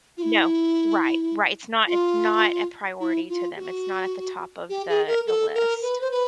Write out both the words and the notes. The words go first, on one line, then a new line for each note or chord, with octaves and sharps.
No. Right, right. It's not it's not a priority to them. It's not at the top of the the list.
F4
E4
F4
E4
F4
G4
F#4
G4
G#4
A#4
A4
A#4
B4
C5
B4